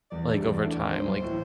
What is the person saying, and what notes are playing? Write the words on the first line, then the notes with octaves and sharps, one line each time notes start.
Like, over time, like,
E2 D5
C3 G3 D4
E2
D3 A3 E4
E1 D5
D2 D3 C5
B1
A2 E3